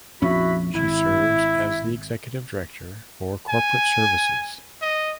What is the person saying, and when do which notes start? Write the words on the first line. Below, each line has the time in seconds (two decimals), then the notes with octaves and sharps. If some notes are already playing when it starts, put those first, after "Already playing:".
She serves as the executive director for corporate services.
0.22 A#1 F2 C#4 E4 F#4 B5
0.74 G#1 E4
3.49 G#5
4.82 D#5